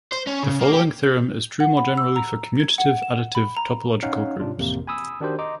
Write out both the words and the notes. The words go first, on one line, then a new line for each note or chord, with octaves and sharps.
The following theorem is true more generally for commutative additive topological groups.
C5
C#4
C#3
A#3
G4
G6
F#5
B5
E6
A#5
G#6
F#5
E7
B5
A#5
C#4 D#4 C#5 F5 F#5
G#2 C3 D4 F4
A1 F2 C3 A#3 A#4
G#5 B5 D#6 E6
D#3 D4 F#4 G4 A#4 C5
D#5 A#5 C6 D6